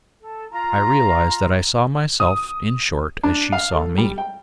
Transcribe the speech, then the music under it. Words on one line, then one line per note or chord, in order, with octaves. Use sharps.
I realized that I saw myself, in short, as she saw me.
A4
F4 A#5
D#6
D4
F5
A4
G3
G5